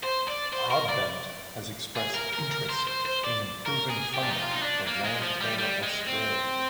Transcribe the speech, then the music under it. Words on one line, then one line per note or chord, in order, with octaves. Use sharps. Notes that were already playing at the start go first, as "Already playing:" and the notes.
Broadbent has expressed interest in improving funding for Landcare Australia.
C5
D5
C5
A#4
D5
G#4
A#4
A#4
A#4
C5
C5
C5
D5
A#4
G#4
G4
D4
D#4
F4
D#4
D4
A#3
G#3
F3
G3
G3
G#3
C4